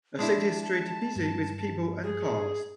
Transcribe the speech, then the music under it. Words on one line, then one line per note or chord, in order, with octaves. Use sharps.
A city street busy with people and cars.
G#3 D4 E4 A5
G2
G#4